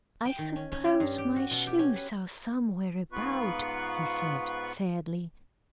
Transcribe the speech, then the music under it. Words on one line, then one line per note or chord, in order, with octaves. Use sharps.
"I suppose my shoes are somewhere about," he said, sadly.
G5
D#3
C#4
C#4
G4
G2
G4
F#4
B2
G4
C#4
B4
G#2 B3 F4 B4 C#6 F#6